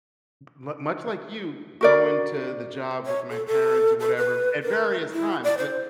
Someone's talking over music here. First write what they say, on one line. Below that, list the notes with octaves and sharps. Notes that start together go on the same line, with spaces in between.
m much like you, going to the job with my parents or whatever- at various times- but
F#4 A#4 D5
C#5
A4
A4
A4
B4
A#4
E4
D5
C5